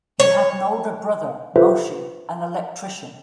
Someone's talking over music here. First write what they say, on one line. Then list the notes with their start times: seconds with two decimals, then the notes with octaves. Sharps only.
He had an older brother, Moshe, an electrician.
0.20 C#5
1.56 F4 G4 A4 B4 C5 E5